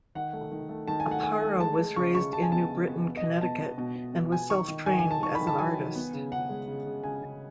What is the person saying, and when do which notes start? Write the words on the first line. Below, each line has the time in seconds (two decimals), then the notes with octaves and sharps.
Aparo was raised in New Britain, Connecticut, and was self-trained as an artist.
0.15 D#3 F#5
0.33 A3
0.52 D#3
0.69 A3
0.88 D#3 A5
1.00 G#5
1.06 A3
1.11 F#5
1.23 A3 G#5
1.42 A3
1.60 G#3 A5
1.79 G#3
1.96 C#3 C#6
2.14 C#3 C#6
2.33 C#3 A5
2.42 G#5
2.51 B3 A5
2.69 C#3
2.87 B3
3.05 B3
3.17 D#5
3.24 B2
3.41 B3 A5
3.60 B3
3.78 B2
3.96 B2
4.14 B2
4.32 B3 G#5
4.50 D#3 C#6
4.68 D#3
4.86 D#3 G#5
4.99 G#5
5.04 D#3
5.11 A5
5.23 D#3 C#6
5.35 B5
5.41 D#3
5.47 A5
5.59 F#3 G#5
5.77 D#3
5.95 B3
6.13 C#3
6.31 C#3 F#5
6.49 G#3
6.68 C#3
6.86 C#3
7.04 C#3 G#5
7.22 C#3